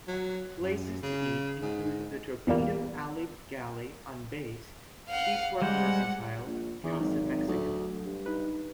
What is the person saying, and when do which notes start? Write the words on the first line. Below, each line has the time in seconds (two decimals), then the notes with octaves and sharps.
Places to eat include the Torpedo Alley Galley on base, Keyport Mercantile, Casa Mexico.
0.08 F#3
0.60 F#2
1.03 C#3
1.62 G#2
2.47 E2 A#2 G3 A#3
5.09 F5 F#5
5.62 G3 G#3 C5 F#5
6.46 A#1
6.84 E2 E3 E4
7.00 G#1 F#3 D#4
7.48 D2 F#3
8.05 G2
8.26 D#4 B4